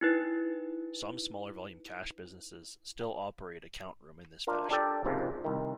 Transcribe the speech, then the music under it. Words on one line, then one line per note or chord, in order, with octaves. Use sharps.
Some smaller volume cash businesses still operate a count room in this fashion.
D#4 E4 B4
D4 F4 A#4
D4 G4 A4 D5 G5
C#2 G#2 C3 F3 G#3 A#3
C2 D#3